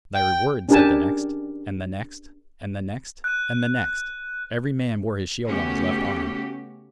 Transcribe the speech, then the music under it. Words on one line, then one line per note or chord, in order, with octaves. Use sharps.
"Thy reward," said the next--and the next--and the next--and the next; every man wore his shield on his left arm.
G5
C#4 D4 G4 A#4 G#5 A5
F#6 D#7
C#3 A3 B3 C#4 F#4 G4